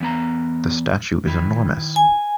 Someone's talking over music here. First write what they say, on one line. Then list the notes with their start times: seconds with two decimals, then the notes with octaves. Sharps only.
The statue is enormous.
0.01 E2 B3 A#5
1.27 D#3 E4
1.96 G#5